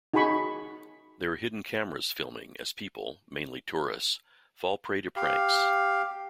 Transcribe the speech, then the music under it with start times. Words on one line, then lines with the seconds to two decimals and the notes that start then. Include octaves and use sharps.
There are hidden cameras filming as people, mainly tourists, fall prey to pranks.
0.14 D#4 F#4 G#4 G#5 B5 C#6
5.16 G4 F5